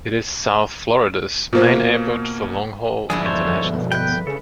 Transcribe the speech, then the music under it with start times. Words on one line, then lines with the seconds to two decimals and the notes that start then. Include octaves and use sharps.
It is South Florida's main airport for long-haul international flights.
1.53 B2 A#3 F4 C5
3.10 G2 D3 F3 G#3 E4 G#4 D5
3.26 E2 A4 C5 C#5
3.64 B2
3.92 B4 G5 G6
4.27 C#3 A4